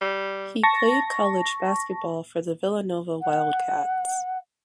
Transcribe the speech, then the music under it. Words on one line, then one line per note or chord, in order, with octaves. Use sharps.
He played college basketball for the Villanova Wildcats.
G3
A5 C#6 A#6
F#5